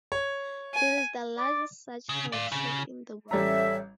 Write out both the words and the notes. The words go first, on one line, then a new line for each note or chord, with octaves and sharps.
It is the largest such collection in the world.
C#5
G#5
D5
C#3
D5 F5
C#3
A1 G3 C#4 A4 E5 A#5